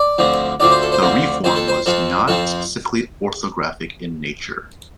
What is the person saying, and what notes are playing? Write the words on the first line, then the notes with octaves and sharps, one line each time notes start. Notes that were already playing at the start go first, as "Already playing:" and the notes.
The reform was not specifically orthographic in nature.
Already playing: D5
D2 D3 F3 C4
D2 D3 F3 C4 D5
C5
A4
C5
D2 D3 F3 C4
F2 F3 C4 C5
A4
C5
F2 F3 C4 A4
F2 F3 C4 A4